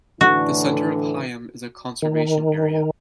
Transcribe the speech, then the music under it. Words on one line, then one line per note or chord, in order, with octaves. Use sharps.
The centre of Higham is a conservation area.
A2 D3 E3 F#4
D#3